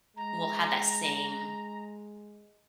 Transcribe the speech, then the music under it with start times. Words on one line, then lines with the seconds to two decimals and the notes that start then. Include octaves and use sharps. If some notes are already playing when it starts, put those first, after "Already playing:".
will have that same
0.17 G#3 A#5